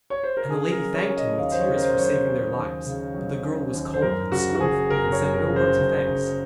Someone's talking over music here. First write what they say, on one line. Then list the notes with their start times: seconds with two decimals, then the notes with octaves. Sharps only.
And the lady thanked him with tears for saving their lives, but the girl was cold and scornful and said no word of thanks.
0.10 C#5
0.23 C5
0.37 A#4
0.50 C#3 G#4
0.72 A#4
0.80 F#3
0.94 C#5
1.09 C#4
1.16 D#5
1.38 D#2 F5
1.52 C5
1.60 C#5
1.67 C#3
1.76 A#4
1.82 C5
1.97 F#3 C#5
2.04 C5
2.26 C#4
2.56 D#2
2.85 C#3
3.14 F#3
3.44 C#4
3.73 D#2
3.94 C5
4.02 F#2 A#4
4.32 C#3 F#4
4.55 F#4
4.61 F#1 G#4
4.90 F#1 A#4
5.12 C#5
5.20 F#2
5.34 A#4
5.49 C#3
5.56 C5
5.78 F#1
6.08 F#1